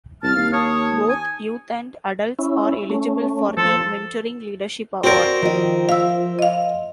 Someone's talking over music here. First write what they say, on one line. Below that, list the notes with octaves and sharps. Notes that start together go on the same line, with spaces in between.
Both youth and adults are eligible for the Venturing Leadership Award.
C2 A5 F6
D#2 F5
C#5 A5 D#6
G#5
C#4 E4
A3 C#4
F3 A4 C5
C4 F#4 A#4 C5 D5
D#3 F3 D#5
E5 F5 E6
D#5 F5